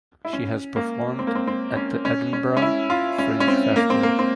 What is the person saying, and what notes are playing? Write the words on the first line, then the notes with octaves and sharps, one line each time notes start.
She has performed at the Edinburgh Fringe Festival.
E4
C#4
A#3
C4
A#3
C4
C4
C#4
C#4
C#4
C#4
E4
F4
C#4
C#4
C4
A#3
C4
A#3
C4